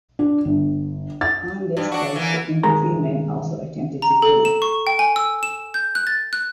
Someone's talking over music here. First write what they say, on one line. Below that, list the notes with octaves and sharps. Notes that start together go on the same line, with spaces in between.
On this sight, the infantrymen also attempted to flee.
D4
G1
A6
G2
D4 F#4
E3 A#3
B1 G2 D#3 G#3 A#4 A#5
A#5
A4
E7
C#6
G5
G#5
E6
E7
G6
F#6
A6
F#6